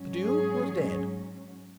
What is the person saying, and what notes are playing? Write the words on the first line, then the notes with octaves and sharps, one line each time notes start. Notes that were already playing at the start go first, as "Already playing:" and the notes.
The Duke was dead.
Already playing: G#2 F#3 C#4
G#4